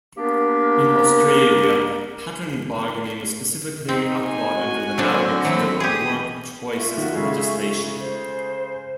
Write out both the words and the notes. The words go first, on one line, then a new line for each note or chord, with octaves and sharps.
In Australia, pattern bargaining was specifically outlawed under the now-repealed WorkChoices legislation.
A#3 B3 D4 G4 A#4
C4 D#4
G#5
F#4
D3 F#3 C4 D4
E3 F#3 B5
G4 G#4 D#6
F4 E5 C#6
D#3 F#4
C#3 G#3 A3
C5